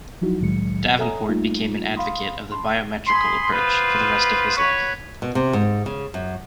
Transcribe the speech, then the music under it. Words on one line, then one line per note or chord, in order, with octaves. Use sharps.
Davenport became an advocate of the biometrical approach for the rest of his life.
F3 F#3 D#4 E4 F#4
C2 A2 D#3 F#3 G#3 C#7
A4 C#5 E5 G#5 A#5 D#6
G3 A3 A#3 D#4 F4
F5 B5 C6 D#6
A5 B5 C6
G#4 B5 C6
B3 F4 B4 C5
F#4 B4 C#5
B2
C3
G#2
C#3
F#2